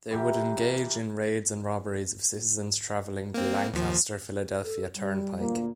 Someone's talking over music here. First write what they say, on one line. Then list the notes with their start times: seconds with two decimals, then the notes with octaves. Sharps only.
They would engage in raids and robberies of citizens traveling the Lancaster Philadelphia Turnpike.
0.11 E3 G4 A#4
3.34 A#3 C4
3.74 D#2 F3
4.64 A4
4.95 G3
5.40 D2 A#2 A#3